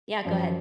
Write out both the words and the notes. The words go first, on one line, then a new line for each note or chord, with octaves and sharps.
Yeah, go ahead.
F#2 F3